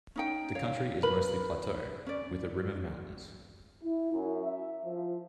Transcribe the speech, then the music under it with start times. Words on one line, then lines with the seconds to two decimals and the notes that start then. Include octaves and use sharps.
The country is mostly plateau with a rim of mountains.
0.16 C#4 D#4 G5
0.55 C#5 F5
1.03 A#4 B4 B5
2.07 C#4 D5
3.82 E4
4.13 F#2
4.44 E5
4.85 F3